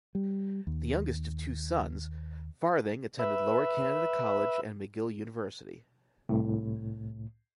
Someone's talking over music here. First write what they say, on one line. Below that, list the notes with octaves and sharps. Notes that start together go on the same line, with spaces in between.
The youngest of two sons, Farthing attended Lower Canada College, and McGill University.
G3
D#2
B4 E5
C2 A2